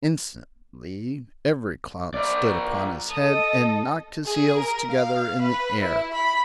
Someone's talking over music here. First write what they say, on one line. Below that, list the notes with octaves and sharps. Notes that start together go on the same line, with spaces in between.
Instantly every Clown stood upon his head and knocked his heels together in the air.
F3 D5
A4 D#5 D#6
G#4
A#4
F5
B4
E4
B5